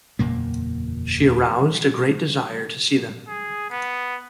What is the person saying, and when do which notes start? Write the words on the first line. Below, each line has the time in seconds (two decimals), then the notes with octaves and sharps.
She aroused a great desire to see them.
0.19 F#1 E2 A#2 A#3
3.28 G#4
3.70 B3